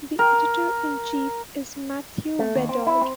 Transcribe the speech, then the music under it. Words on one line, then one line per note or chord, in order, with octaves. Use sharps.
The Editor in Chief is Matthew Bedard.
A#4
A3
D#2
C4
E4
C4